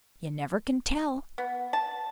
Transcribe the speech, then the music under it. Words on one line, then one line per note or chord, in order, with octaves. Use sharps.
You never can tell.
B3
A5